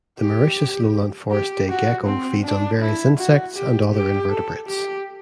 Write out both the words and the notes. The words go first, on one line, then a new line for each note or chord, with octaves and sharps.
The Mauritius lowland forest day gecko feeds on various insects and other invertebrates.
G4
G4
F#4
C4
D4
E4
F#4
G4
G4
A4
G4